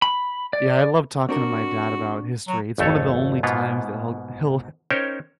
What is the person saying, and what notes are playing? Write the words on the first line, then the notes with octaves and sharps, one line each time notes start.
Yeah, I love talking to my dad about history, it's one of the only times that he'll he'll
B5
D5
C4 D4 F#4 A#4
F#3
G#1 F2 A3 A4 C#5
G#2 B2 A#3 B3 F4
C#4 D#4 A#4 C5 C#5 G5